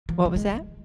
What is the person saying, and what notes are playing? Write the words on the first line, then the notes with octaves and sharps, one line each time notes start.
What was that?
F3
G3
G#3